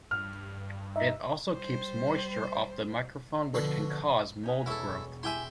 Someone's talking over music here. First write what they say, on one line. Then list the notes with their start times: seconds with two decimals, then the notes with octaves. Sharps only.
It also keeps moisture off the microphone which can cause mold growth.
0.11 G2 F6
0.96 D#4 E5
1.50 G3 C5
3.54 B2 D3 F3 F#4
4.43 B3 C#4 D#4
4.66 E1 E4 A4 C#6
5.23 E4 G4 E5 G5 G#5 C6